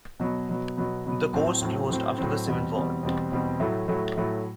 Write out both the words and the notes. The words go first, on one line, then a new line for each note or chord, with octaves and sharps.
The course closed after the Civil War.
B2 F#3 B3
B2 F#3 B3
B2 F#3 B3
B2 F#3 B3
A2 F#3 C4
A2 F#3 C4
A2 F#3 C4
A2 F#3 C4
E2 B2 G3 C4
E2 B2 G3 C4
E2 B2 G3 C4
E2 B2 G3 C4
A2 F#3 A3 E4
A2 F#3 A3 E4
A2 F#3 A3 E4